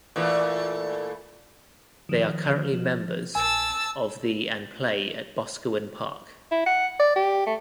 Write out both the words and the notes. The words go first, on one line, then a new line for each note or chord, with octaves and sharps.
They are currently members of the and play at Boscawen Park.
A#2 E3 A3
D#3 F3
F3
A#1 G#5 A5 E6
E4
F#5
D5
G4
A3